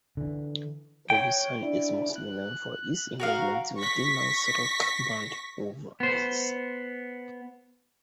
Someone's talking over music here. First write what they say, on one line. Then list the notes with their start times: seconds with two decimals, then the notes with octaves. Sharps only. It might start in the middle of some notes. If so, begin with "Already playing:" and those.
Olson is mostly known for his involvement with the noise rock band Wolf Eyes.
0.17 D3 E3
1.10 C#5 G5
1.63 D4 E4
2.16 F#6
3.20 F#4 A#4 F5
3.77 C#6 A#6 B6
6.00 B3 C5